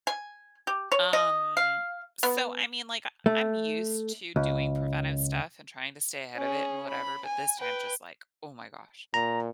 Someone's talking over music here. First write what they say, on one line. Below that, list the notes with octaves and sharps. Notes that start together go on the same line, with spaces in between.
Um, so, I mean, like, I I'm used to doing preventive stuff and trying to stay ahead of it and whatever, but this time, just like, "Oh my gosh."
G#5
G4
C#5
D#5
F5
B3
A3
C#2
C#4 G#4
B5
G#5
B4 G5
A#2 A#5